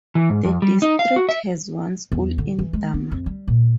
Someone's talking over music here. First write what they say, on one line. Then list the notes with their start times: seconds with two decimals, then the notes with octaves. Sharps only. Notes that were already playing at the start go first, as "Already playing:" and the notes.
The district has one school in Damar.
0.15 E3
0.30 G#2
0.45 F2
0.62 G3
0.82 D#4
0.99 F5
1.16 F#4
1.29 E5
2.12 E2
2.38 D3
2.59 E3
2.73 G#3
2.94 B3
3.12 F2
3.26 G3
3.48 A#2